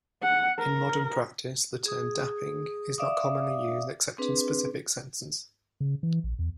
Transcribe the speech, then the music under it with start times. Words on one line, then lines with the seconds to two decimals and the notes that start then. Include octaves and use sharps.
In modern practice the term "dapping" is not commonly used except in specific senses.
0.23 F#5
0.58 A#4
1.86 G#4 D#6
2.98 D5 E5 F5 D6 D#6
4.18 C4 D4 G#4 B4
5.80 C#3
6.03 E3
6.24 A#1
6.39 E2